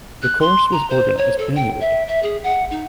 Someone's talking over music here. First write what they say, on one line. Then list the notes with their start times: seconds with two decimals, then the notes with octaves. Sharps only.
The course was organized annually.
0.22 F#6
0.41 C6
0.72 A#5
0.90 C5
1.17 C#5
1.38 A4
1.56 G5
1.81 E5
2.08 E5
2.23 G#4
2.44 F#5
2.71 D#4